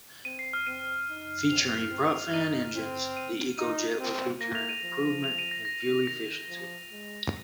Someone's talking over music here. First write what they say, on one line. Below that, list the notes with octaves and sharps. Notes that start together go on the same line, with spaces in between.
Featuring propfan engines, the EcoJet would feature an improvement in fuel efficiency.
C4 D#7
C7
F6
C4 D#7
D#4
C4 F7
C4
D#4 D#7
C4
D#7
D#4 D#7
C4
A#3 A#6
F7
D#7
F3
F7
D#7
A#6
A#6
D#3 A#6
F3
G#3